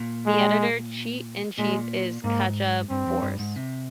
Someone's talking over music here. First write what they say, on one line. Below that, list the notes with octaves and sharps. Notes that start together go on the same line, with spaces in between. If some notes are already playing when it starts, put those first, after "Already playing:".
The Editor in Chief is Katja Brose.
Already playing: A#2
G#3
A#2 G#3
G#2 A#3
G2 C4
F2
G2
G#2
C3